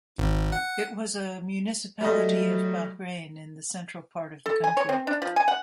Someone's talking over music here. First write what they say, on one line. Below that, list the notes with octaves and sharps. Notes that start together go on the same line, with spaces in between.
It was a municipality of Bahrain in the central part of the country.
G#1
F#5
F#3 G3 A3 D#5
A4
G#5
C#5
C4
D4
F3
G#5
F#5